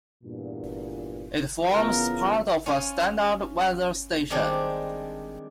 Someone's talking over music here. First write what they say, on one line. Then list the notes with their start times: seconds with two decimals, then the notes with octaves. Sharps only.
It forms part of a standard weather station.
0.24 E2 G2 A#2
1.73 C#3 E3 B3 F4 A#4
2.66 C#4 F4 F5 G#5
4.30 D#3 G3 G#3 C4 D4